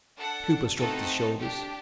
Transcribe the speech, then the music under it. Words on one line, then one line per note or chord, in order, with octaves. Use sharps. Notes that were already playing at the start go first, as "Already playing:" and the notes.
Cooper shrugged his shoulders.
D4 A4 F#5
A3 C4 D#4 A4 F#5
D4 G4